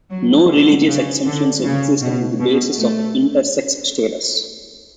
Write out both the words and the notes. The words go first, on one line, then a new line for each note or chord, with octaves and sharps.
No religious exemptions exist on the basis of intersex status.
F#3
D3
C#3
D3
C#3
B2
B2
A3